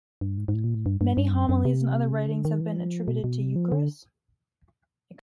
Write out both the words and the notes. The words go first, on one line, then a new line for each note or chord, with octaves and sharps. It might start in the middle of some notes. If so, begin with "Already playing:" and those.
Many homilies and other writings have been attributed to Eucherius.
G2
G#2
G#2
A2
A#2
A2
G2
G2
G2
F#2
F#2
C3
C#3
D3
D#3
E3
F3
B2
B2
C3
F3
D3